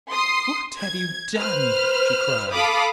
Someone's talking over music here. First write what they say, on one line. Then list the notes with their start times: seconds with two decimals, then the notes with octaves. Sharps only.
'What have you done?' she cried.
0.12 C6 D#6 C7
0.79 G#6
1.39 B4 C5 F6
2.54 A4 F5 B5 D6 D#6